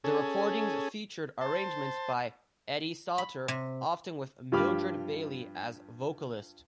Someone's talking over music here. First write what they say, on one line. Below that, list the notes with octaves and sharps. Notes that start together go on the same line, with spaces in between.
The recordings featured arrangements by Eddie Sauter, often with Mildred Bailey as vocalist.
C#4 G#4 A4
C5 A5
B5
C3
G2 F3 G4 B5 D6 F6